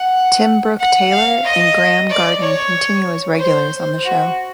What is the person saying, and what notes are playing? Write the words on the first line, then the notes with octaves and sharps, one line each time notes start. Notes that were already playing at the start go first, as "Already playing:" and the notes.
Tim Brooke-Taylor and Graeme Garden continue as regulars on the show.
Already playing: F#5
F#5
F5
D#5
D5
C#5
C5
F#4